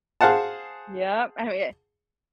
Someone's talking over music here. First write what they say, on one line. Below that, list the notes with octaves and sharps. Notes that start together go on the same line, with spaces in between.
Yep, I mean,
G#4 C5 F5 F#5 A5